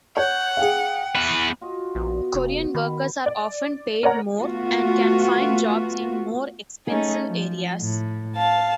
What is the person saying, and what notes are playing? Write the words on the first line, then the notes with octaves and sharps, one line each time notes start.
Korean workers are often paid more and can find jobs in more expensive areas.
C#5 F#5 G6
G#4 F5 G5
E2 B4 E7
F4 F#4 D#5
A#1 B2
F1
D#3 B5
D5
A#4 C#5 D5 F#5 A#5
A3 B3 F4 F#4
A3 C#4 D#4 G#4
F3
A2
F5 A5